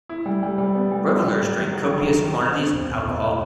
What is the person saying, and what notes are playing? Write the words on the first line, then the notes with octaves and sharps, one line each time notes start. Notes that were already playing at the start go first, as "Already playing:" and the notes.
Revelers drank copious quantities of alcohol.
E4
G3
G3
G3
B3
G3
B3
G3
F#3
D#3
F#3
D#3
F#3
D#3
C4
C4
E1
E1
E1